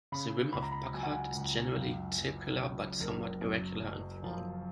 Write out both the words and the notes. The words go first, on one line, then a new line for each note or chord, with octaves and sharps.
The rim of Burckhardt is generally circular but somewhat irregular in form.
C#3 B5
C#2 B5
A#5
B5
F#3 G#5
F#5
G#5
C#2
F#2 F5
F#1
C#3
F#1 A#4
F#2
F#1
F3